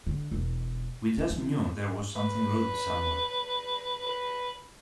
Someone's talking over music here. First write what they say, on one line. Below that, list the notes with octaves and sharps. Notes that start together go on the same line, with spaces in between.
We just knew there was something rude somewhere.
D3
E1
F3
E3
B4
B4